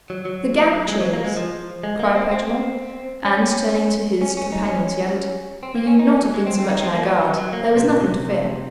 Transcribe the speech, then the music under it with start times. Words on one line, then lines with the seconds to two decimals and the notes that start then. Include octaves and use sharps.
"The Gauchos!" cried Paganel; and, turning to his companions, he added, "we need not have been so much on our guard; there was nothing to fear."
0.10 F#3
0.25 F#3
0.88 G#3
1.01 F#3
1.13 A#3
1.24 G#3
1.36 F3
1.83 G#3
1.99 A#3
2.15 C4
2.31 C4
3.26 C#4
4.21 C#4
4.37 C#4
4.52 D#4
4.69 C#4
5.63 C4
5.75 A#3
5.87 C#4
5.99 D#4
6.10 C#4
6.22 F#3
6.34 G#3
6.46 C4
6.58 C4
6.69 D#4
6.82 C4
6.94 A#3
7.05 F#3
7.22 F#3
7.38 F#3
7.53 A#3
7.64 A#3
7.77 C3
7.89 A#2
8.00 C3